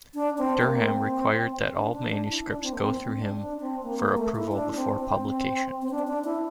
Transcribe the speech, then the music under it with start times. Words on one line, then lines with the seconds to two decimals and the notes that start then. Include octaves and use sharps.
Durham required that all manuscripts go through him for approval before publication.
0.14 D4
0.38 C4
0.61 A#3
0.83 C4
1.76 D4
1.93 D4
2.10 D4
2.28 E4
2.44 D4
2.63 C4
2.73 A#3
2.79 C4
3.14 D4
3.38 D4
3.61 C4
3.83 A#3
4.00 A#3
4.17 A3
4.35 E4
4.52 D4
4.76 C4
4.99 C4
5.82 C4
5.91 D4
6.07 D4
6.24 E4